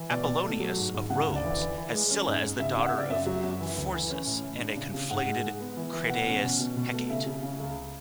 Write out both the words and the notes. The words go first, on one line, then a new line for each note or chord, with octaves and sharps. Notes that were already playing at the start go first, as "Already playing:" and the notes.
Apollonius of Rhodes has Scylla as the daughter of Phorcys and a conflated Crataeis-Hecate.
Already playing: E3
B2 D5
B2
A3
F#3
G#2
G#2
C#3 F#5
D2
D5
E3
E3
E3
G#3
C#4
G#2
G#2
C#3 E5
C#3 F#5
E5
C#3 D5
F#2 E5
F#3
F#2
E3
D2
E3
C#4
A2
A2
D4
C#3
C#3
G#2 F#5
G#3
G#3
B3
E3
E3
B2 F#5
C#4
B2
B2
B2
A3
C#3 E5
C#3
C#3
C#2